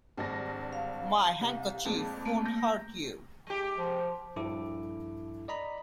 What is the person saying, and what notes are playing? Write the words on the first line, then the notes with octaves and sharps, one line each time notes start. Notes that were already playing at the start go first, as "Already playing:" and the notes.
My handkerchief won't hurt you.
G#1 G2 A#6
F5
C2
F2 A#2 G#3
A3 A#3
G6 A#6
G#3 G4
F3
A#1 G2 E4 A4 D6
D5 D#5 A#5 B5